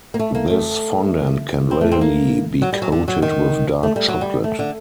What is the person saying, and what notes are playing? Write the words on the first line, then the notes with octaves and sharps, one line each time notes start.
This fondant can readily be coated with dark chocolate.
A#3
A3
A#3
A3
C4
A3
C4
A#3
F#3
G3
F#3
D3
F#3
D#3
A3
G3
F#3
G3
A3
D3